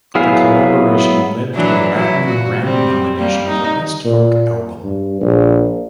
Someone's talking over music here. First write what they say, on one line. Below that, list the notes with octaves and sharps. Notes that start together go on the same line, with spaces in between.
The collaboration led to a Latin Grammy Nomination for Best Folk Album.
F#3 B3 E4 G#4 F5
E3 F#3 D4
F#3 E4
A#2 F#4
G3 C4
G3 A#3
D#4
A#2
G2
A#1